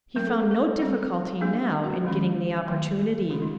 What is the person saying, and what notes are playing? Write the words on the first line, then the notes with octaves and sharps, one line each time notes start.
He found no difficulty now in getting the opportunity.
F#3 A3 C4 A#4
A4
G#4
A4
G3 C4
G3 A#3 D4 G#4
G4
F#4
D#3 G#3 C#4
D#3 F#3 A3
D#3 G#3 C#4 F4
D#4